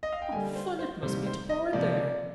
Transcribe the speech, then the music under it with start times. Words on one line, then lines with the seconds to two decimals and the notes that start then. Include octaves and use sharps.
"What fun it must be to board there!"
0.03 D#5
0.12 F5
0.22 G5
0.32 D3 G3 A#3 G#5
0.55 C5
0.79 C5
1.02 C3 D#3 G3 A#3 C5
1.27 C5
1.49 D#5
1.73 C3 F3 A#3 D5